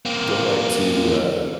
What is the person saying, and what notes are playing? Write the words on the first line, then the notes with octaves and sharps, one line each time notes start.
don't like to, uh,
A#3 C4